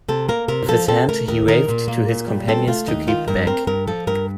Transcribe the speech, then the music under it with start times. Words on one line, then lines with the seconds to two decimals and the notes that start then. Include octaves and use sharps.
With his hand he waved to his companions to keep back.
0.08 C3 A4
0.29 A#3 A#4
0.48 C3 A#4
0.68 F3 A4
0.88 C4 A4
1.09 A3 A#4
1.28 D#2 A#4
1.48 D#3 A#4
1.69 A#2
1.88 A#3
2.08 A#2
2.28 G3
2.48 C4 A4
2.68 A3 F4
2.87 D#2 D#4
3.07 D#3 F4
3.28 G2 A#4
3.47 C4 A#4
3.67 G2 A#4
3.87 F3 A4
4.07 G2 A#4